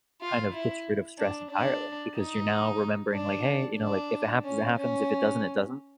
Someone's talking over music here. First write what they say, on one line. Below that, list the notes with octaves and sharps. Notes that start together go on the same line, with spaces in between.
kind of gets rid of stress entirely because you're now remembering, like, "Hey," you know, like, "If it happens, it happens. If it doesn't, it doesn't."
F4
E4
D4
D4
D#4
D4
D4
C#4
C#4